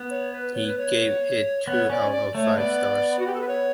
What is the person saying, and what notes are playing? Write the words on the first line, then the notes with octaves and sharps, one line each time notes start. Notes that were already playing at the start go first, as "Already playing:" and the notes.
He gave it two out of five stars.
Already playing: B3
C#5
B4
C#5
B4
C#5
B3 C#5
C#4 D5
D5
A3 C#5
B3 D5
F#4
G4
A4
B4
C#5